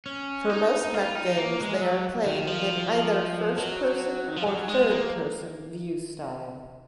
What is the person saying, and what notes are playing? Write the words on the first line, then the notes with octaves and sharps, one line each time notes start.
For most mech games, they are played in either first-person or third-person view style.
C#4
D#4
F4
D#4
A#3
G#3
F#3
D#3
F3
F#3
D#3
F3
F#3
G#3
A#3